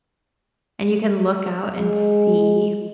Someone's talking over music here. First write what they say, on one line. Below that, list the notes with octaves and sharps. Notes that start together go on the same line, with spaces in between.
and you can look out and see-
G#3